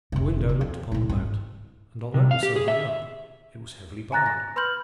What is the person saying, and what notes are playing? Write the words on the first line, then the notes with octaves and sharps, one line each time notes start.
The window looked upon the moat, and although it was so high up, it was heavily barred.
F1 C3
C3 D#3
F2
A#2 E4
G#1 G2
C3
F5
G4
G#4
E5
G#5 A#5 F#6 A6 A#6
A#6
B4 B5 C6 F6 G6 F#7